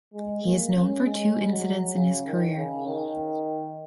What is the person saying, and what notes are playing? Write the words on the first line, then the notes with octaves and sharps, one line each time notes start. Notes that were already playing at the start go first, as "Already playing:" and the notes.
He is known for two incidents in his career.
G#3
A#3
C#4
G#3
F#3
C#3
D#3
C#3
D#3